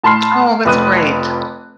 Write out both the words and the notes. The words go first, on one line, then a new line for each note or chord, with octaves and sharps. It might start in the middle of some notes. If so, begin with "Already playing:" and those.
Oh, that's great.
A2 A5 B5 C6 F6 C7
F1 F2 B4 D#6 F#6 D#7